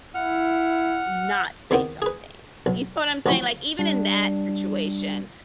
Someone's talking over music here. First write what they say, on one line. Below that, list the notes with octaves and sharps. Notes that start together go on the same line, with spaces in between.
not say some things, you know what I'm saying? Like, even in that situation,
E4 F#5 F6
E2 D#3 B3 C4 G5
G#4 B4
B1
A1 F3 F#3 C#4 E4 C6
G3 D4